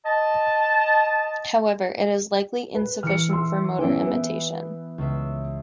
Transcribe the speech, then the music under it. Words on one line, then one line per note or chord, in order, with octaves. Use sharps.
However, it is likely insufficient for motor imitation.
D#5 A5
B4
E3 F6 C#7
C6 E6
E3 B3 C#4 E5 G5 G#5
B3
C#2 E5